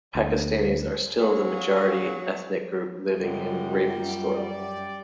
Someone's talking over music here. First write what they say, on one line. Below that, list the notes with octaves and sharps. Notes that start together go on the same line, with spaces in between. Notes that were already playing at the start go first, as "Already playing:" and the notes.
Pakistanis are still the majority ethnic group living in Ravensthorpe.
D2
F#3 G#4 F5
F#2 C#3 G3 G#3 F4
G4 D5